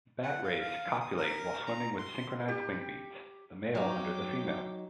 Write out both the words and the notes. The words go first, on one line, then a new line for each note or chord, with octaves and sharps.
Bat rays copulate while swimming with synchronized wingbeats-the male under the female.
F#5
F5
F5
D#6
A#4
A#5
C6
G4
F#3 D#4 G5 D6